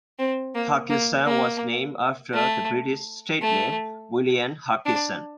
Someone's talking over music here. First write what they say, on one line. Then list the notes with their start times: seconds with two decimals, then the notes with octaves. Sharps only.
Huskisson was named after the British statesman William Huskisson.
0.19 C4
0.55 A#3
0.90 A#3
1.26 A#3
2.34 A3
3.42 A3
4.86 D4